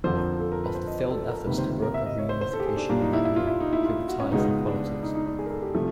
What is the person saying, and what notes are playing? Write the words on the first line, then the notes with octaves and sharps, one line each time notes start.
After failed efforts to broker reunification in that year, he retired from politics.
F2 D3 F3 C5
A#4
A4
A#4
B4
C5
D#5
D5
A4
A#4
C#2 C3 D#3 G3 A#3 B4
C5
C5
A#4
E5
D#5
C#5
C5
C5
A4
G4
G#4
D4
A#2 G3 A#3 D4
D#4
E4
E4
F4
E4
D#4
E4
F4
F#4
C#4
C#2 B2 G#3 B3 D#4
D4
D#4
D#4
D4
G#4
A#4
A4
G4
C3 F3 A3